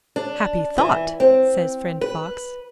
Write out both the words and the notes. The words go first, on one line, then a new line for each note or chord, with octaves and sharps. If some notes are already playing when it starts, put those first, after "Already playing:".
'Happy thought!' says friend Fox.
D4
E3
C4
B4